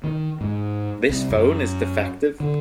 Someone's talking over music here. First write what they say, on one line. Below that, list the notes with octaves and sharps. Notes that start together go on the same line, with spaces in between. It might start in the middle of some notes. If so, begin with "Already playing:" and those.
This phone is defective.
D#3
G#2
C2
F#2
D3